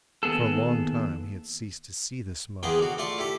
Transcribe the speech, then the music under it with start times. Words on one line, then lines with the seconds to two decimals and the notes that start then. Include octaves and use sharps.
For a long time he had ceased to see the smoke.
0.23 D#2 B2 B3 G#4 A4
2.63 E2 A#3 B3 G#4 C5 G5
2.79 D3 F#4
2.98 A3 F4 D5 C6 C#6
3.18 E4 G4 A4